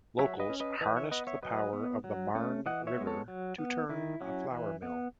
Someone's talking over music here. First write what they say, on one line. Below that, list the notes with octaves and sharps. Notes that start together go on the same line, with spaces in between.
Locals harnessed the power of the Marne river to turn a flour mill.
F#3 C#5 E5
B4 D#5
C#4
B4 D#5
E3 B4 D#5
C#5 E5
B3 B4 D#5
C#5 E5
F#3 B4 D#5
B3
F#3
A3 C#4
E3 D#5 F#5
C#5 E5
G#3 B3
A4 C#5
F#3
B3
D#3 E4
F#3 C#4
E3
B3